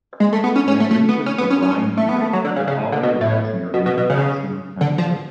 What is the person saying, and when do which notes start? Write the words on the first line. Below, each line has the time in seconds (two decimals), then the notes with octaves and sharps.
When it reaches the brine heater it already has nearly the maximum temperature.
0.20 G#3
0.33 A3
0.44 B3
0.56 C#4
0.68 C#4
0.80 A3
0.91 A3
1.09 B3
1.26 C#4
1.38 B3
1.50 C#4
1.62 C#4
1.97 A3
2.09 B3
2.21 A3
2.33 F#3
2.45 D3
2.56 C#3
2.67 C#3
2.92 D3
3.03 B2
3.21 A2
3.74 B2
3.86 B2
3.98 B2
4.10 C#3
4.81 D3
4.98 F3